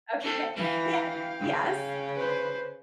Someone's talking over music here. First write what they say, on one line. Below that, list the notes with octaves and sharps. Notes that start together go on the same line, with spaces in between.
Okay. Yeah Yes.
C4 A4
E3 F5 G5
C#3
B4 C5